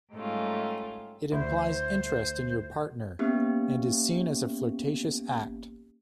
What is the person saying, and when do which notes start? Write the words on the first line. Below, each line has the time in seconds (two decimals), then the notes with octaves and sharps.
It implies interest in your partner, and is seen as a flirtatious act.
0.13 G#2 G3 A3 C#4 F4
1.32 D2 E4 C5
3.19 A#3 B3 C#4 G4